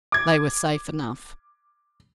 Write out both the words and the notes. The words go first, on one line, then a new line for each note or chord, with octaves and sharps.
They were safe enough.
D6 G#6